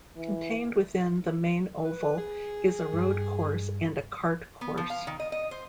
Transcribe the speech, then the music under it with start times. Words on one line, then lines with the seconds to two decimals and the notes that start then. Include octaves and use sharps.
Contained within the main oval is a road course and a Kart course.
0.17 E3
1.85 B4
2.17 G#4
2.93 G2
4.61 B3
4.77 F3
4.90 F5
5.07 D#3
5.20 D#5
5.32 D#5
5.51 C5